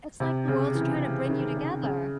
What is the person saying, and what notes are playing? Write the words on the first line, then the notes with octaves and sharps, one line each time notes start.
it's like the world's tryna bring you together.
C3
C#3
E3
D#3
C#3
C#3